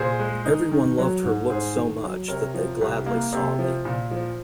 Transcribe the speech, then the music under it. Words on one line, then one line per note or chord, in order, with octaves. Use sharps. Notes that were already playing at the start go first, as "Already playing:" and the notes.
Everyone loved her look so much that they gladly saw me.
Already playing: A#2 G#4 C5
G#3
D#4
D#3
F#3
G#2
G#2 G#4 C5
D#3
F#3
C3 A#4 C#5
F3
C2
A#3
C3
F3
A#2
F3